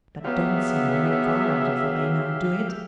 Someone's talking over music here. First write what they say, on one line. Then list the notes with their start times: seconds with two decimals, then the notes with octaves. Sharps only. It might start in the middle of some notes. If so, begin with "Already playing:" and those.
That don't seem very far out of the way now, do it?'
0.24 F#3 B3 G4 G#4 E5 F5